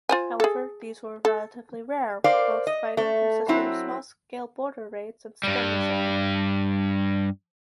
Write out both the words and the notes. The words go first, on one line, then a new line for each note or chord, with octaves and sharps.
However, these were relatively rare, with most fighting consisting of small-scale border-raids and skirmishing.
F4 C5 G#5
G#4 A4
A4
A#4 C5 D5 F5
D#5
A3
F#3 C4 E4
G2 G3